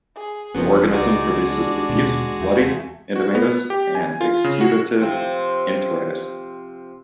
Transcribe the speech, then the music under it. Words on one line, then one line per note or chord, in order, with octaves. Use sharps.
The organism produces diffuse, bloody, edematous, and exudative enteritis.
G#4
F#1 F#2 F3 F#3 B3 C#4
C#2 G#3 D#4 F#4 D5 G#5
D4 D5
D#2 B2 D3
E2 A3 F4
F#4
B3
G4
G#5
F4
C#3
F#4
C3 F3 C4